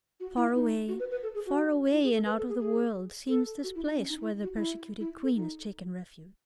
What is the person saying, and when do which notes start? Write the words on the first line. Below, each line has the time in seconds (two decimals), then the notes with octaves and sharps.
Far away, far away and out of the world seems this place where the persecuted Queen has taken refuge.
0.20 F#4
0.37 E4
0.55 D#4
0.88 F#4
1.00 B4
1.11 B4
1.23 A4
1.35 G#4
1.46 F#4
1.92 E4
2.04 G#4
2.15 A4
2.26 B4
2.38 A4
2.49 G#4
2.60 G#4
3.29 A4
3.63 F#4
3.75 E4
3.86 D#4
3.98 C#4
4.10 D#4
4.21 E4
4.43 F#4
4.56 E4
5.00 E4
5.24 A4
5.36 D#4